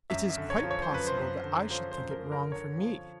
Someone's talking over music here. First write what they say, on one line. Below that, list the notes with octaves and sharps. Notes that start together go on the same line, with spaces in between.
"It is quite possible that I should think it wrong for me."
F#2 E5
E5
D3
C#5
F3
C#5
C5
F#2 B4
C5
F#2
D3
F3 C5
C5
F#2
A#4
F#2
A#4
D3 C#5
F3